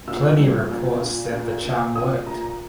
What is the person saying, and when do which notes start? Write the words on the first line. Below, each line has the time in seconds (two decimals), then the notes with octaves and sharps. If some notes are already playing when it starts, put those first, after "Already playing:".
Pliny reports that the charm worked.
0.08 A#2 E6
0.39 G3
0.70 A#2
1.02 A#2
1.32 A#2
1.64 A#2
1.95 A#2 D#6
2.26 A#2 A#5